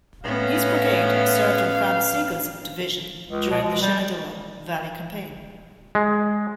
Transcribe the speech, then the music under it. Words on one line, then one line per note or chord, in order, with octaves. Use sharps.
His brigade served in Franz Sigel's division during the Shenandoah Valley Campaign.
A2 B3 C#4 F5
C#2
B2
G#3
G3
G#3